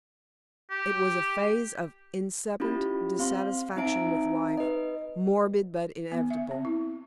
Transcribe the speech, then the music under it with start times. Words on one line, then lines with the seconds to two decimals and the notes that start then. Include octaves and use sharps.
It was a phase of incipient dissatisfaction with life, morbid, but inevitable.
0.71 G4
2.60 C#4 E4 F4 G4 B5
3.19 C4 F5 C6
3.76 C4 D#4 E5 A#5 D7
4.58 B4 D#5
6.12 B3
6.30 E5
6.51 C4
6.65 E4